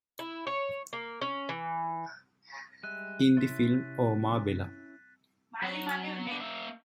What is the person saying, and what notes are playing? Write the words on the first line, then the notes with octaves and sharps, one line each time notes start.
In the film Oh Marbella!
E4
C#5
A#3
C#4
E3
G3 G#3 E5 F#6 D#7
C3 C#4 E4 C6 A6 B6
F#3
B3 D4
A#3 E5